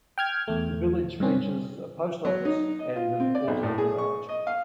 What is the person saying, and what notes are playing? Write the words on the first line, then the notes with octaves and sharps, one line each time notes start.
The village features a post office, and an auto garage.
G5 F6 G#6
E2 A3
G2 C3 C4 C#4
F#3
D#4
D#5
F4
C4
D5
B1
A2
G#4
C#6
D#5
F5